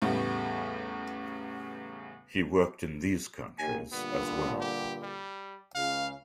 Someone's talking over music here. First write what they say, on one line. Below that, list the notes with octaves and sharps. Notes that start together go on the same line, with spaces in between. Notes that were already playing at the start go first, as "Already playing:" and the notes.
He worked in these countries as well.
E2 A2 C#3 G3 A3 B3
D#2 D#3 G#5
G2 A#2 D3 B3
G4
G3
C#2 C#3 F5